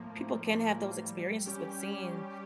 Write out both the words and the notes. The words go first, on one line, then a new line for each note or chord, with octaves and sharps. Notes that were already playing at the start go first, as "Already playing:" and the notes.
people can have those experiences with seeing
Already playing: A2 F3 A#3
A2
F3 A#3
G3
C#4 G4
G3
G4